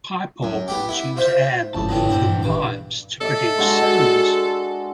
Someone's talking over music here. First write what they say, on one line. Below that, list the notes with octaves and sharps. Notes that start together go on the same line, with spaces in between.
Pipe organs use air moving through pipes to produce sounds.
F#2
B3 G4
E4
F4 C5 E5
G1 C#2 G#2 F3 A5
B2 D3 F#3 B3 E4 G5
G2 A#2 D4 C5
E3
G#1 G2 A#2 E3 B4 D6
A4 D#5 E5 D6
G#3 D4 F#4